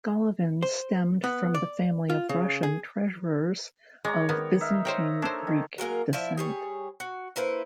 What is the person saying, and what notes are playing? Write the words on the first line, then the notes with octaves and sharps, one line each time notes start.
Golovin stemmed from the family of Russian treasurers of Byzantine Greek descent.
C5
B3
D5
F4
C#3
G#4
G#3 C#5 D5 A#5
D#3 B3
D#4 E5 F5
C5 C#5 G5 A#5
A#3 D4 A4 C5 C#5
D#3
F#3 G#3 A#3 A#4
F3 E4 D5 E5
G3 G#4 C#5
F#4
A#3 E4 B4 C5